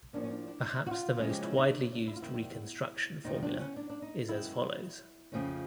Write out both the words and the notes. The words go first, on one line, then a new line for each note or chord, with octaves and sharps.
Perhaps the most widely used reconstruction formula is as follows.
A2 F3 A#3 C#4 D4
C#4
D4
D4
F#4
F4
C#3 F3 G#3 C#4
G4
E4
D#4
D4
D4
D4
E4
F4
E2 C3 D#3 E4
E2 C3 F3 D#4
D#4
D4
C#4
D4
D4
D#4
F#2 D#3 G#3 B3 E4
F2 C#3 F3 A3 C#4